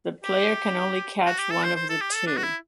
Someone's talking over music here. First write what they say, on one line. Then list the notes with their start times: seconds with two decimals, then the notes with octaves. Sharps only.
The player can only catch one of the two.
0.25 G4
1.26 F#4
1.39 G4
1.51 A4
1.64 C5
1.76 C5
1.90 A4
2.01 G4
2.14 A4
2.27 D4
2.38 F#4
2.44 E4